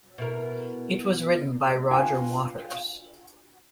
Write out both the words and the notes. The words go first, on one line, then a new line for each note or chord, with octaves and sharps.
It was written by Roger Waters.
B2 E4 A#4
D4 F4 B4 F5 G5 G#5